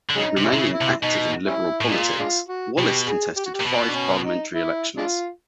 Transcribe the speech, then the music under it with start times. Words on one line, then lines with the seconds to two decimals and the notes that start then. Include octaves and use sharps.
Remaining active in Liberal politics, Wallace contested five parliamentary elections.
0.09 D3
0.15 C#3 F#3 G#3 D#4
0.37 C3
0.44 G3 C#4 E4
0.53 C3
0.59 C#3
0.74 E4
0.81 C3
1.02 B2 D#4
1.47 G3 C#4 E4
1.81 A2
1.90 A#2 G#3 D4 F4
2.20 G#3 D4 F4
2.49 F#4
2.78 B2 G4
3.07 G#4
3.37 G4
3.46 F#4
3.54 G4
3.60 A#2
3.66 B2
3.88 D4
3.95 C#4
4.24 D#4
4.54 E4
4.97 G#3 D4 F4